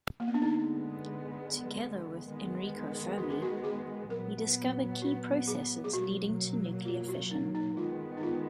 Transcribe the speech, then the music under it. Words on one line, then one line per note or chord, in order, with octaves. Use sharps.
Together with Enrico Fermi, he discovered key processes leading to nuclear fission.
A#3
B3
D4
D3 G#3 B3 D#4
D#3 G#3 B3
F#4
G#4
F#4
G#4
A#2 F#3 B3 A#4
F#4
G#4
G#4
B2 F#3 A#3 F#4
F4
F#4
D#4
D#4
D#3 G#3 B3 F4
D#4
F4